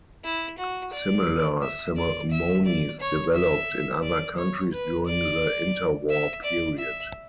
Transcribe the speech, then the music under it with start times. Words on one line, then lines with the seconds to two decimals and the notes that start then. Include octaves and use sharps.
Similar ceremonies developed in other countries during the inter-war period.
0.24 E4
0.59 F#4
0.93 D5
1.62 E5
1.97 D5
2.31 E5
2.65 D5
3.00 C#5
3.34 E5
4.03 D5
4.37 C#5
4.72 B4
5.06 D5
6.10 E5
6.44 D5
6.78 E5